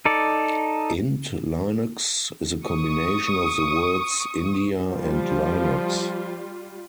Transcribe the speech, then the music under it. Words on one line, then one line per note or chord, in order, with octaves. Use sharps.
Indlinux is a combination of the words "India" and "Linux".
D#4 A4 D5
C#6 D#6
F3 G3 F4